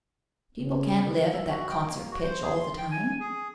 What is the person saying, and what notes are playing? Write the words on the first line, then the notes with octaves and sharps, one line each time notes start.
People can't live at that concert pitch all the time.
C#3
E5
F#4
G5
A#3
F#4
C5
G#4
C6
G5
G#5
G#4